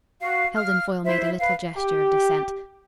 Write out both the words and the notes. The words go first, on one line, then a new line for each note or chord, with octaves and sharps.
Heldon Foyle made a little gesture of dissent.
F#4 F5
F5 F6
E4 C5 E5
B4 F5
G4